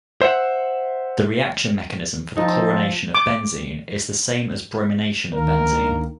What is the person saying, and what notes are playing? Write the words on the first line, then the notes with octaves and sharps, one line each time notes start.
The reaction mechanism for chlorination of benzene is the same as bromination of benzene.
C5 E5 F#5
F3 C4 D#4 A5
D6
D2 D#3 A#3 A#4